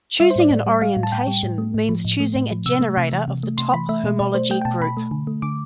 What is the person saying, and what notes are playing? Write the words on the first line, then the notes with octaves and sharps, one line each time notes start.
Choosing an orientation means choosing a generator of the top homology group.
G3 E5
C5
A2 D5
A2
G3
G3 F5
A2
A5
A2 G5
G3
A2
A3
A2
F3
A2
A3
A2
F3
C3 E6
A3
C3
E3
C3
A3
C3 C6
E3 B5
A3 E5
B2
B2 D5
A3 C5
A3 G5
G5
B2 A5
B2 B5
A3
D3
A3
D3 D6